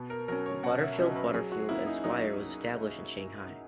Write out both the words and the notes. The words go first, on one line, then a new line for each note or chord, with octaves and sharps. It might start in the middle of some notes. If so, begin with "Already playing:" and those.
Butterfield, Butterfield and Swire was established in Shanghai.
Already playing: B2 B3
A#4
F#3 C#4 A#4
C#5
B2 F#5
E5
F#3 C#4 D#5
B4
F#3 G#4
F#4
A#3 C#4 E4
D#4
F#3 D#4